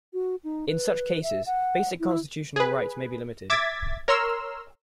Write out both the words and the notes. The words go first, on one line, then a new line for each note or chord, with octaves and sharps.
In such cases, basic constitutional rights may be limited.
F#4
D#4
B4
E5
F#5
E4
G#4 B4
E5 D6 G#6 A6 B6
A#4 C#5 A#5 C6 E6 F6